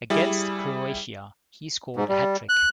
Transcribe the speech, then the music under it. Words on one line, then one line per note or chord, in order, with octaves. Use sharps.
Against Croatia, he scored a hat-trick.
G3 E4 G#4
G#2
G3
F#6